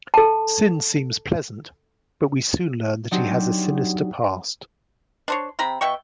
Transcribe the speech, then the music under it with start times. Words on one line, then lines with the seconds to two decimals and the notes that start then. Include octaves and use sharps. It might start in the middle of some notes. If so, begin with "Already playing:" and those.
Syn seems pleasant but we soon learn that he has a sinister past.
0.14 A4 A5
3.11 F#3 C4 D4 D#4 F#4 G4
5.28 D4 C5 C#5
5.59 C3 C4 A#5 B5
5.81 B2 E5 G5 C#6